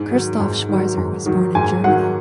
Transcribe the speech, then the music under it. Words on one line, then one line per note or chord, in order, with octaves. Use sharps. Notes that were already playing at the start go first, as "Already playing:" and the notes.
Christoph Schweizer was born in Germany.
Already playing: G#2
D#3 F#3
G#2
D#3 F#3
G#2
D#3 F#3
G#2 G#5
D#3 F#3 F#5